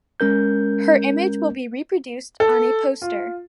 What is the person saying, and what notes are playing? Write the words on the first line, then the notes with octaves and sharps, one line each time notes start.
Her image will be reproduced on a poster.
G#3 C#4 A#4 G6
A4
F4